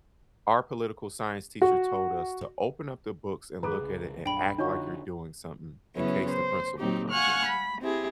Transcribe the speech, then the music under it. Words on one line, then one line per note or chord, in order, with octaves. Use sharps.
our political science teacher told us to "Open up the books and look at it and act like you're doing something in case the principal comes in."
F#4
G#2 D#3 F#3 G#4 A4 B4 A#5
C2 C#3
A#1 F#2 D4 G5 B5
F2 D3 D4 D#4 F4 F#4 C#5 C#6
C#3 F#3 B3 C#4 E4
C5
A#2 F#3 C4 D#4 G4
F5 F#5 G#5 C#6 F6 F#6
B5
C4 E4 G4 G#4